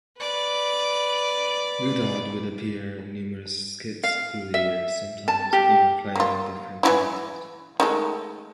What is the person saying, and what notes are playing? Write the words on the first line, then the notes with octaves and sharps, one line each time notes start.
Goddard would appear in numerous skits through the years, sometimes even playing different characters.
B4 D5
F5
E5
A5
G4
A#3 F4
E3 D#4 E4
D#3 G#3 A3